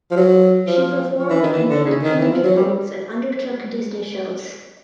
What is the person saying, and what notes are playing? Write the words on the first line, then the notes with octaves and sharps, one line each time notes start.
She performed in independent films and undertook Disney shows.
F3
F#3
F3
F3
E3
D#3
E3
D3
C#3
D#3
E3
F3
F#3
G3